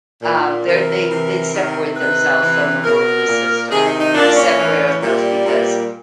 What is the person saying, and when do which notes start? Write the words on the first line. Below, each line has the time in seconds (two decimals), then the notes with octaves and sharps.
um, they're they they separate themselves from the worldly system. We separate ourselves, because
0.22 A#2
0.66 C3 E3 A#4
1.10 C3 E3
1.53 C3 D#3
1.96 C3 D#3 B4
2.40 C3 E3
2.84 B2 A#4
3.27 A#2
3.71 C3 D#3 G#4
3.86 D#4
4.00 D#4
4.15 A#2 D4
4.37 C#4
4.58 A2 E3
5.02 A#2 G3
5.46 A#2